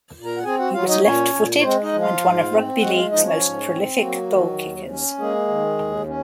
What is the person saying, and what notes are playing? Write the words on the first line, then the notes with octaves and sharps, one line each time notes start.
He was left-footed, and one of rugby league's most prolific goal-kickers.
A#2
A#4 A#5
F#5
C4 G#4 G#5
F#4 F#5
F#3 F4 F5
D#4 D#5
A#2 C#4 C#5
A#2
C#5
G#3 C4 C5
D#4 D#5
F3
F4 F5
G#2
C4
G#3 F#4 F#5
F4 F5
F3 D#4 D#5
C#4 C#5
G#2
C4
F#3 A#3 F#4
D#3
D#2
C#4
G#3 A#3 G#4
D#3
D#2
C#4